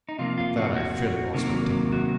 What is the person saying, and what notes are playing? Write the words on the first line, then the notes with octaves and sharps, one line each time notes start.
At that I fairly lost my temper.
D#4
C3 F3 A#3 F4
F4
F#4
F#4
C3 D#3 F#3 A#3
F#4